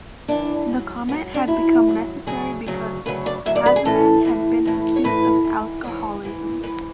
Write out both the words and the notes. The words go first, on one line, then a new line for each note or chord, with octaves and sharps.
The comment had become necessary because Havemann had been accused of alcoholism.
F#2 E3 D4
G#2 F#3
G#2 F#3 B3
D4
G#2 F#3 E4
G#2 F#3
D2 C#3 F#3 G#4
D2 C#3 F#3
D2 C#3 F#3 B4
D5
D2 C#3 F#3 E5
D5
B4
G#4
A2 E3 A4
A2 E3
A2 E3
C#5
A2 E3 B4
G#2 E3
G#2 E3 C#5
G#2 E3
G#2 E3 B4